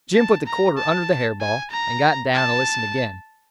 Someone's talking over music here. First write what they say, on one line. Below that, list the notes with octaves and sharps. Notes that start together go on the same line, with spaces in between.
Jim put the quarter under the hair-ball, and got down and listened again.
A5
A#5
A5
G#5
A#5
A5